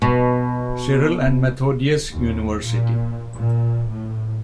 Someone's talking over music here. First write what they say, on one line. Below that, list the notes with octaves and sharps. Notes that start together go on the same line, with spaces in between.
Cyril and Methodius University.
B2
D#2
A#2
A#2
A2